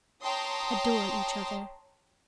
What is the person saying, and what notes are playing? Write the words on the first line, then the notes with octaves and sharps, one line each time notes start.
Adore each other.
C#5 G5 A5 A#5 C6 D#6